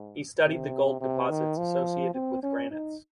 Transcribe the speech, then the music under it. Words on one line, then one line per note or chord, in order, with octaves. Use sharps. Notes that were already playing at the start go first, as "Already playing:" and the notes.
He studied the gold deposits associated with granites.
Already playing: G#2
C3
C3
D#3
F3
C4
C#4
D#4